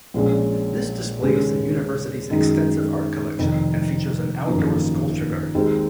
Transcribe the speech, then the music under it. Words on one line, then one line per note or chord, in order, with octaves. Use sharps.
This displays the University's extensive art collection, and features an outdoor sculpture garden.
A#1 A#2 G#3 C#4
D#2 C#3 G#3 C#4
F#2 D#3 G#3 D#4
F1 F2 D#3
G#1 F#2 F3 A#3 D#4
D#2 D#3 G#3 C4